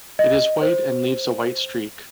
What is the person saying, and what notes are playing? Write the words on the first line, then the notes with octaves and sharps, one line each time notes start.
It is white and leaves a white streak.
D#5
C5